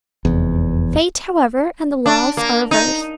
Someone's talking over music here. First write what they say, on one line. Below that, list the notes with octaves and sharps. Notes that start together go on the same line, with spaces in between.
Fate, however, and the laws are averse.
F1 E2
D4
A#3
D#4